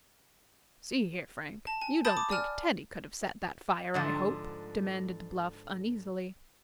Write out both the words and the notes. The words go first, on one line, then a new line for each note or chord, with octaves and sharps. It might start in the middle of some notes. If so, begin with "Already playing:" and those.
"See here, Frank, you don't think Teddy could have set that fire, I hope?" demanded Bluff, uneasily.
A5
G#5
A5 B5 D#6 G6 A6
D6
D5 G#5 F6
G#2 D3 F3